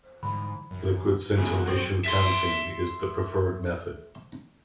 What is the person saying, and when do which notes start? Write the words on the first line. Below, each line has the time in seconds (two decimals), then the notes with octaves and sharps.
Liquid scintillation counting is the preferred method.
0.23 G#2 D3 E3 G3 B5
0.71 A1 F#2 D#3 F#3
1.37 E2 C#3 E3 G#3 F#4
1.68 C2 A2 F#3 C4 A4 C#6
2.05 E5 C6